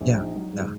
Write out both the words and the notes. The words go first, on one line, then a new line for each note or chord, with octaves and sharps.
Yeah, yeah.
A#1
D#4
F#3
G#2